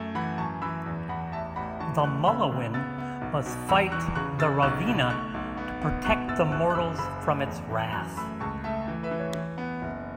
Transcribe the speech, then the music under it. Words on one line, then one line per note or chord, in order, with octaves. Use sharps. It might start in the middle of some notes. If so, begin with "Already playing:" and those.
The "Mulawin" must fight the "Ravena" to protect the mortals from its wrath.
Already playing: F#2 A3
E3 F#5 B5
F#2 A5 C#6
E3 B5 E6
E2
E2 F#5 B5
A1 E5 A5
A1 F#5 B5
E3 A5 C#6
A3 C#6 F#6
C#3 B5 E6
C#3
B3 E6 A6
B3
B1
B2
E2 B5 E6
E3 C#6 F#6
C#3 C#6 F#6
C#3 E6 A6
B1 C#6 F#6
B2
A3 C#6 F#6
B1
B3
B3
B2 C#6 F#6
F#1 E6 A6
F#1 C#6 F#6
F#6
F#1 B5 E6
C#3 B5 E6
A3
E2
E3
F#2 C#6 F#6
A3 B5 E6
C#2 A5 C#6
A3 E5 A5
E3
B4 E5
E3
C#5
E3
B3
F#1